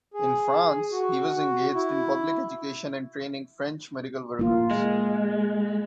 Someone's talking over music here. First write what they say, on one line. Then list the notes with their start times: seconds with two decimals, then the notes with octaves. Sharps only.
In France he was engaged in public education and training French medical workers.
0.14 G#4
0.91 F#4
1.74 E4
4.39 A#3 F4
4.71 G#3